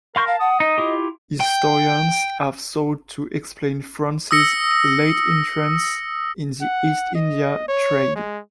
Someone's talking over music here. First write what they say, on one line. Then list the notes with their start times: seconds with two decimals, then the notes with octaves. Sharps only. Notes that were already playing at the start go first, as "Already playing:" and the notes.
Historians have sought to explain France's late entrance in the East India trade.
0.16 A#4 F5 C6 C#6 G6
0.27 F5 A5
0.40 F#5 D#6
0.60 D#4 D#5
0.78 E4 F4 G4
1.41 G5
4.31 D#6 E6 A#6 C#7
6.62 F#5
7.15 D#5
7.68 C#5
8.16 G#3